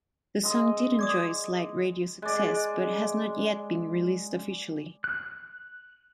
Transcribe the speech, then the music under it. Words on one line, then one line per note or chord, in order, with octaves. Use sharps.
The song did enjoy slight radio success, but has not yet been released officially.
G#3 D#5 E6
D5 D6 D#6
G#3 D5
F#6